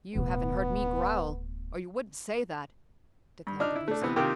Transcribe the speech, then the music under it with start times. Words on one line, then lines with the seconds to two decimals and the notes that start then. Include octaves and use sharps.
"You haven't heard me growl, or you wouldn't say that," declared the Woozy.
0.15 D1 B2 B3
3.47 G2
3.60 D4 D#4 F6
3.75 E4
3.88 A3 D4
4.02 C3 E3 B3
4.16 C3 D#3 A#3 F4 G4